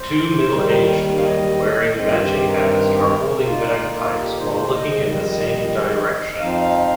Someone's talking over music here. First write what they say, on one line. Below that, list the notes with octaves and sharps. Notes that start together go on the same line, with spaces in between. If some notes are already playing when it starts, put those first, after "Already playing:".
Two middleaged men wearing matching hats are holding bagpipes while looking in the same direction.
Already playing: C5
D#2 D#3 G3 A#4
C5
A#4
F5
D#5
G2 D#3 C4 D#5
F4
G4
A#4
A#2 A#3 D#4 F4
F4
F4
G4
A#4
C5
C5
D#5
F2 D#3 G3
D#5
F2 F3 C4 D#4 F5